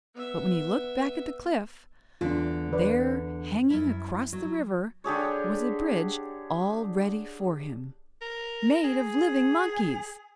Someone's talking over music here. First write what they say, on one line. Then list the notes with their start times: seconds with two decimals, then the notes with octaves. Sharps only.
But when he looked back at the cliff, there, hanging across the river, was a bridge all ready for him--made of living monkeys!
0.14 B3 E5
2.21 E2 D3 D4 F4
2.73 B4 D5
3.70 F#2 E4
4.33 F#3
5.04 D3 G4 G#4 C#5
8.21 A#4
8.84 G#4